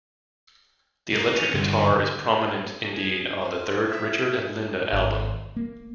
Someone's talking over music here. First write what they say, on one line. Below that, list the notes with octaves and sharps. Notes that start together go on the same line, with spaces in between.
The electric guitar is prominent indeed on the third Richard and Linda album.
A#3
C#4
G2 D3
G#4
C5
E5
G#1
A#3